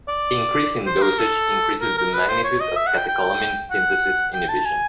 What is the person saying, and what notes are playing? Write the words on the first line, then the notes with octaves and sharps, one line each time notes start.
Increase in dosage increases the magnitude of catecholamine synthesis inhibition.
D5
C5
A#4
A4
A#4
A#4
B4
C5
C#5
D#5
E5
F#5
G5
G5
F#5
G5
A5
G#5